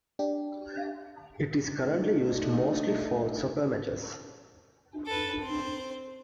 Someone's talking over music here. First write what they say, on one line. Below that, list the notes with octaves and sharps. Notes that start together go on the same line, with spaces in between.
It is currently used mostly for soccer matches.
D4 G4
A3 D4 D#4
A4 B4
C4 C5